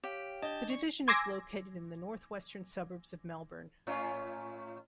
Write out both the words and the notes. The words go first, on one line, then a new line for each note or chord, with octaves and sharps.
The division is located in the north-western suburbs of Melbourne.
G4 C#5 F5
D4 D#5 A5 G6
D5 C#6
G#5 C6 D6 E6 G#6 A#6
A2 C#4 F4